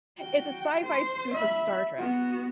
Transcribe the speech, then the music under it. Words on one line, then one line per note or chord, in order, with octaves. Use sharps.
it's a sci-fi spoof of Star Trek.
F#4 G5
C5
E5 B5
B3 F#4